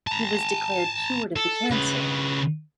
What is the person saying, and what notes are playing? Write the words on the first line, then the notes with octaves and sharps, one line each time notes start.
He was declared cured of the cancer.
A5 A#5
A4
C#3 B4